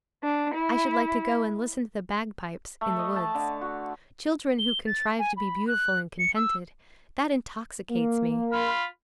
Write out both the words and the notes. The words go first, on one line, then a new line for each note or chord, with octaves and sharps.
I should like to go and listen to the bagpipes in the woods. Children who contrive to be beautiful and contented,--that intoxicates me.
D4
E4
A3
D#5
A5
D3
F#4
G7
A6
G#5
B5
F#6
C#7
E6
A#3
F4 B5 F6